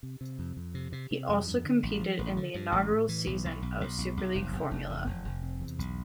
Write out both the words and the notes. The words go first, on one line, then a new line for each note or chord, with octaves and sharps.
He also competed in the inaugural season of Superleague Formula.
C3
C3
F2
F2
C3
C3
C3
F2
G2
D3
A1
F3
A1
D3
G2
A1
A2
E3
B1
B1
B1
B1
B1
B1
F1
F1
F1
E2
F1
F1
C3
E2
B1